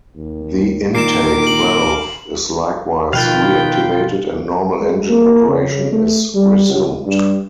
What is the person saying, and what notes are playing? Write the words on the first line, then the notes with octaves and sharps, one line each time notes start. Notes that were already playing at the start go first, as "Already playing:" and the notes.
The intake valve is likewise reactivated and normal engine operation is resumed.
D#2
A#2 D#3 A#4 D6 C7 E7
F#7
B2 D#3 F3 F4 B4 F5 G5
G#3
A#3
C#3
A3
G3
C#2
G2